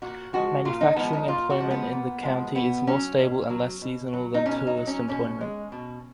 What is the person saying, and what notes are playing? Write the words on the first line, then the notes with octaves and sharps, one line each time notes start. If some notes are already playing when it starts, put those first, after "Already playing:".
Manufacturing employment in the county is more stable and less seasonal than tourist employment.
A#2 F#4
F3 G#3 F#4
A#2 F4
D#4
F3 G#3 B3
D#4
A#2 F4
F#4
F3 G#3
B3
A#2
F3 G#3
B2 B3
F#3 C#4
B2
F#3
B2
F#3
D#4
B2 C#4
D#4
F#3
C#4
B2 C#4
G#3
B2